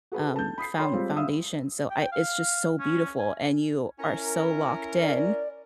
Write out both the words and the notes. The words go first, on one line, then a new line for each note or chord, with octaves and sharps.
um, found foundation. So I it's just so beautiful, and you are so locked in.
F#4 G#4 A4 B4
A5 G6
B5 D#6 B6 C7
C#5 G5 B5 C6
G3 G#3 C4 F4
E5 F5 D#6 E6
G5
F5
C#4
G#5
C#4 E4 A#4
D5